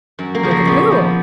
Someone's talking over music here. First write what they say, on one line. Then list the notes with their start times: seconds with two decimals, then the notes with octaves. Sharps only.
"Look at who?"
0.19 F#2
0.35 A#3
0.43 C#3 F3
0.51 A#3
0.67 A#2 B3
0.92 F3